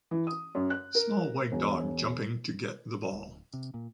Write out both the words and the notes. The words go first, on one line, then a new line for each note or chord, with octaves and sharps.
Small white dog jumping to get the ball.
E3
D#6
F#2
F#6
A#4
E1
D1
C3
A#2